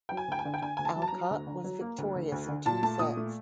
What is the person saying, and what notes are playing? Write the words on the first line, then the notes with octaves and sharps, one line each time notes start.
Alcott was victorious in two sets.
F#3 G5
G#5
D2 G5
G#5
D3
G5
D3 G#5
D2 G#5
A5
F#3
A5
F#3 A#5
D2
D3
F#3
A#3
D2
D2
D2
D3
A#2 A5
A3 A5
A#2 D#6
A3